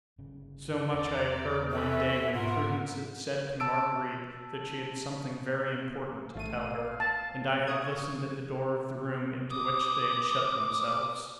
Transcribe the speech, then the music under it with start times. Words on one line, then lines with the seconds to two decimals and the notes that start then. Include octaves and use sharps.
So much I had heard one day when Prudence had said to Marguerite that she had something very important to tell her, and I had listened at the door of the room into which they had shut themselves.
0.18 G1 C#3
0.93 E2 A3 C4 D5 A#5
1.72 E3 A4 B4 C#5 E5
2.34 G#2 F4 A#4 B4 E5 F#5
3.60 A5 E6 D7
6.35 A1 A3 F5 D#7
7.00 A5
7.67 C#6 D#6 G#6
9.50 D6 D#6